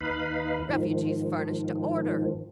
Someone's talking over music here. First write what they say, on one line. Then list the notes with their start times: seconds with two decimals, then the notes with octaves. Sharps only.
Refuges furnished to order.
0.01 D#2 D#4 B4 F5 B5
0.69 G#2 D#3 F3